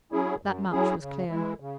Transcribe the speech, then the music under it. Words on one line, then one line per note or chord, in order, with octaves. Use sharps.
That much was clear.
F#3 C#4 E4 G#4
F#2
F#3 C#4 E4 G#4
C#3
E3 G#3 E4
C#3